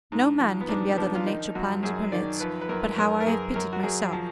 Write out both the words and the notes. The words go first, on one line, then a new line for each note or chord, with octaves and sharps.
No man can be other than Nature plans or permits, but how I have pitied myself!
G#2
F3
B3
G#2 D4
B3
F3 D4
F4
D#3 D#4
F#2 F#4
F#2 G#4
D#3 D5
F3 B4
B4
F#2 A#4
F#2 A#4
A#4
F#2 G#4
F#2 A#4
F#4
F#2 G#4
F3